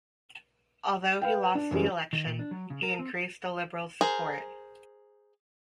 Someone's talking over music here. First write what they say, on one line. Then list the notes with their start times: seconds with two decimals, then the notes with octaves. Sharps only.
Although he lost the election, he increased the Liberals' support.
1.22 B4 F5 G5
1.55 D4
1.71 F#2 E3 G3 G#3
2.13 D#3
2.26 A#2
2.39 D4
2.51 F#3
2.70 C#3
2.83 A#4
2.99 C4
4.01 G#4 A#4 C5